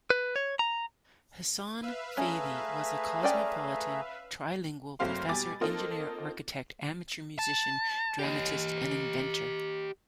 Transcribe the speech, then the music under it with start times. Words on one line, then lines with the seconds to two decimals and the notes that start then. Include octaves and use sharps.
Hassan Fathy was a cosmopolitan trilingual professor-engineer-architect, amateur musician, dramatist, and inventor.
0.10 B4
0.36 C#5
0.59 A#5
1.82 B4 E5 F5
2.17 A3 C#4 G#4 A#5
3.23 C#4 D5 G5
4.99 F#1 F#3 A3 C4 F5 C6
5.28 B2 G3 G4 G#5 D6 A6
5.61 A#3 C4 D#4 F4 A4 D#5
7.39 A5
8.19 G4 D#5